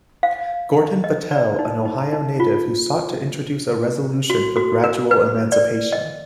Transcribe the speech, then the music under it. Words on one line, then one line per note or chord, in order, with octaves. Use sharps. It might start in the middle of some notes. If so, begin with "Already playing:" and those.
Gordon Battelle, an Ohio native who sought to introduce a resolution for gradual emancipation.
F5
D#5
D5
D#4
D#4
D#4
F4
F#4
F#4
A#4
B4
D5
D#5